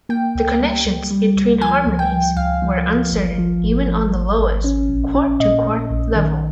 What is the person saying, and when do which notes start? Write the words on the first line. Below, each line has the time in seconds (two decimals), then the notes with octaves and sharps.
The connections between harmonies were uncertain even on the lowest—chord-to-chord—level.
0.09 A#3 G5
0.35 C#2
0.60 G3
0.85 C#2
1.11 G3
1.36 C#2
1.61 F3 G#5
1.86 C#2
1.99 G5
2.12 F3
2.37 C#2 F5
2.62 F3
2.87 F3
3.12 G#1
3.38 F3
3.63 G#1
3.88 F3
4.14 G#1
4.39 G#1
4.64 C#4
4.89 A#1
5.15 C#4
5.40 A#2 D#5
5.65 A#2
5.90 A#1
6.16 D#3